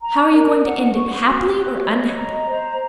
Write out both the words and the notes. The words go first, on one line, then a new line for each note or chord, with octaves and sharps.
"How are you going to end it--happily or unhappily?"
A#5
A#4
F#5
C#6
F#4
C#5
D#5
A#5
C5